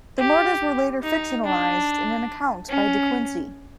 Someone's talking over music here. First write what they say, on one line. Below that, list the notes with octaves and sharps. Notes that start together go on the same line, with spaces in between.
The murders were later fictionalised in an account by De Quincey.
G4
D#4
D4
C#4